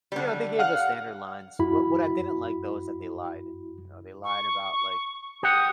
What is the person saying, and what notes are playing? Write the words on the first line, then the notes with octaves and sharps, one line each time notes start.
You know, they gave the standard lines, what what I didn't like, though, is that they lied, you know? They lied about, like
D3 G3
F5 F#5 F6
F#2 E4 F#4 B5
C#6
G4 F#5 D#6